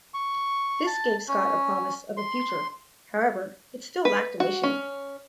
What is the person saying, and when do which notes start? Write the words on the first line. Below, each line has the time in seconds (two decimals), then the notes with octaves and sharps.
This gave Scott a promise of a future; however, it still lacked a mission.
0.14 C#6
0.87 A5
1.28 C#4
2.17 C6
4.05 B4
4.40 F#4
4.63 C#4